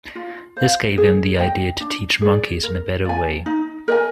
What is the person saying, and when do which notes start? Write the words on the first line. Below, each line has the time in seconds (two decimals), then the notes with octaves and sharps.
This gave him the idea to teach monkeys in a better way.
0.15 F4
0.57 C5 F5
0.98 G#4
1.39 D#5 G5
1.80 D4
2.22 G#4 D5
2.63 A#4
3.05 D5 G#5
3.46 D#4
3.88 A#4 D#5 G#5